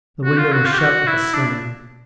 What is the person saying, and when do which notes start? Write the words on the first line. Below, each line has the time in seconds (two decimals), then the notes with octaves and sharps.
The window was shut with a slam.
0.25 F#4
0.38 F4
0.52 F#4
0.66 F4
0.73 G4
0.79 F#4
1.07 E4
1.34 D4